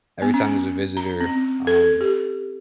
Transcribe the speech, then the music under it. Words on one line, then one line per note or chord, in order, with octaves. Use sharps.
every time there's a visitor, um,
B3
C#4
A#5
C4
A4
G4